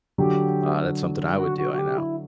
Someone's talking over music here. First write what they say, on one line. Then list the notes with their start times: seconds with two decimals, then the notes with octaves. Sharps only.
Uh, that's something I would do, I know.
0.18 D3 F#3 G4
1.38 F#4
1.58 F#4
1.73 F#4
1.78 G4
1.98 E4